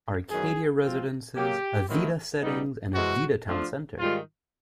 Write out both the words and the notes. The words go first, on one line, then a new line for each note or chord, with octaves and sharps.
Arcadia Residences, Avida Settings, and Avida Town Center.
F#2 D#3 F#3 B3 G#4
F3 G#3 C4 F4
C#3 F#3 A#3 G4
D#3 F#3 A3 C4 E4
B2 G3 B3 D#4
C3 E3 G#3 C#4 F#4
F3 A3 D4 F4
G#2 D#3 G3 F4